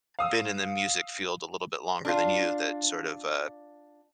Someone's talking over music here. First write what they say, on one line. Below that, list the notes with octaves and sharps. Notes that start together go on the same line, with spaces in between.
been in the music field a little bit longer than you that sort of, uh,
F5 D#6 E6
D4 F4